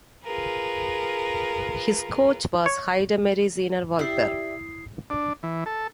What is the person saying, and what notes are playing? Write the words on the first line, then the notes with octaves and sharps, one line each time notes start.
His coach was Heidemarie Seiner-Walther.
F4 G#4 A#4 B4
C#5
E4 G4 D5 E5 D#6 C7
D4
E3
A4